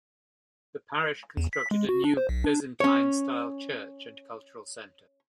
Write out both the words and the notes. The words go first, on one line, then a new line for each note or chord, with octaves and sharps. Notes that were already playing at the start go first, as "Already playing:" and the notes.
The parish constructed a new Byzantine style church and cultural center.
E2
B6
G#3
F#4
D4
C5
B1
D4
C#4 C#5